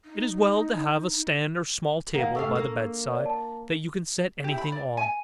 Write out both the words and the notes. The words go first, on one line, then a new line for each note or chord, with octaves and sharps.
It is well to have a stand or small table by the bed-side, that you can set any thing on.
D#4
D#2 A#3 A#4 F5 F#5 A#6
G2 A3 A4 F5 C#6 E6
A#3
C#5 D5
A5
E4 G4
B5
D5
G#5